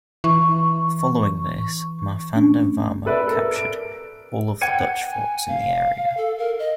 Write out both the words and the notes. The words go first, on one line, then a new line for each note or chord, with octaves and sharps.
Following this, Marthanda Varma captured all of the Dutch forts in the area.
E3 C#6
A3 C#4 D4
A4 B4 D5 E5
A4 A#4
D7
F#5 G5 G#6 C#7 D#7
G#5
F5
A4
A#4
D#5